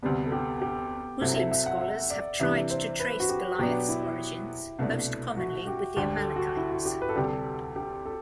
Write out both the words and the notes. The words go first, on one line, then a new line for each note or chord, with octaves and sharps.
Muslim scholars have tried to trace Goliath's origins, most commonly with the Amalekites.
D2 C3 G3 B3
A4
G4
G4
C2 C3 F#3 C4 E4 A4
E5
E5
F#5
E5
D5
C3 E3 G3 D4 E5
C5
B4
F#4
G4
B2 F#3 B3 D4 G4
E4
C2 B2 A3 D4
F#4
G4
D2 D3 G3 G4
A4
F#4
E4
F#4
G4
B4
A4
D2 C3 G3 G4
A4
G4
A4